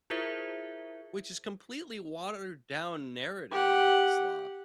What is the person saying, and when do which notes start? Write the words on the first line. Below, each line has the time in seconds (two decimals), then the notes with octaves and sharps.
which is completely watered down narrative slop.
0.10 E4 F4 G#4 A#4 C5 E5
3.51 G4 F#5